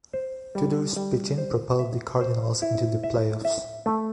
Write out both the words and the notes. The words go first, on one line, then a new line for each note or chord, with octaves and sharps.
Tudor's pitching propelled the Cardinals into the playoffs.
C5
G3
G3
C5
E5
C5
E4
E5
E5
A3